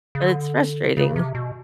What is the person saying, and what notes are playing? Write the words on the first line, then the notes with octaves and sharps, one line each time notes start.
But it's frustrating.
C#3
D3
C#3
C3
B2